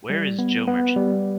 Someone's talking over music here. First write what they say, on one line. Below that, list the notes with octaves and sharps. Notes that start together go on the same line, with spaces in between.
Where Is Joe Merchant?
G3
B3
B3
G3